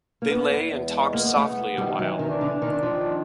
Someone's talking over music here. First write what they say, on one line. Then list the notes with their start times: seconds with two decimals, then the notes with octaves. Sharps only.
They lay and talked softly awhile.
0.22 A#3
0.30 E2 B3
0.57 E2
0.85 G#3
1.14 A#3 B3
1.36 A3
1.42 B3
1.70 D#3
1.78 G3
1.98 E3 F#3
2.19 D#3
2.27 D4
2.41 D3
2.54 D4
2.62 D#3
2.83 D#3 F3